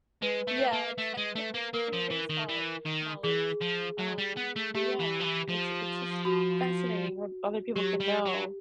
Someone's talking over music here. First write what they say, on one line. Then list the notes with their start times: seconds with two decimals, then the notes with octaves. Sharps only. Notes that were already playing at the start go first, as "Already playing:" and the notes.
yeah, exactly, or your baseball knowledge. Um yeah, it's it's just fascinating what other people can know
0.22 G#3 B4
0.48 A3
0.73 A#3
0.98 A3
1.17 G#3
1.36 A3
1.54 A#3
1.73 A#3 A#4
1.93 F3
2.10 E3
2.30 D#3
2.49 E3
2.86 D#3
3.23 E3 G#4
3.62 F3
3.99 F#3
4.18 G3
4.37 B3
4.56 A3
4.75 A3 G4
5.00 E3
5.20 F3
5.24 E3
5.49 F3
6.25 F#4
7.76 F#3 G4
8.00 G3
8.26 F#3